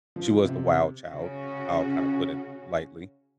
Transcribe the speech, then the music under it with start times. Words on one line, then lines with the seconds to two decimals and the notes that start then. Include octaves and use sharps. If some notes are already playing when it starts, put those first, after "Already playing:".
she was the wild child, I'll kinda put it lightly,
0.16 F3
0.45 C3
1.10 C#3 C#4 F#4